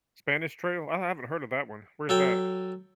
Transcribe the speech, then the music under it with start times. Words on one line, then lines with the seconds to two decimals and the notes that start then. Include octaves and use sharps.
Spanish Trail? I haven't heard of that one. Where is that?
2.09 F#3 A4 G5